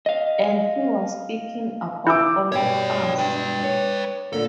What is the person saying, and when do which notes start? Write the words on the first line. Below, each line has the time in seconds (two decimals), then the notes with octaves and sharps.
And he was speaking about all of us.
0.06 D#5 F5
2.07 E4 D6 E6 G6
2.52 G2 B2 G3 C#5 G5
3.18 B4 G5
3.64 C#5
4.33 A#2 D3 A#3 A4